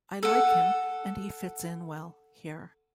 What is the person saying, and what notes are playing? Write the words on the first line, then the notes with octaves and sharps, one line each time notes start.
I like him and he fits in well here.
A4 F#5